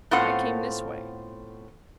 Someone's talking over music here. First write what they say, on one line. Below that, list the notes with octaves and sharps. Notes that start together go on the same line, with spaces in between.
I came this way.
A2 B3 C4 F4 A4 F#5